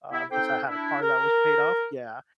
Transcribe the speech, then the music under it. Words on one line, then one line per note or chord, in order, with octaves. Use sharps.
uh, 'cause I had a car that was paid off yeah,
C3 B3 E4
C4 D#4 A4 C5 G5
D4 E4
A#4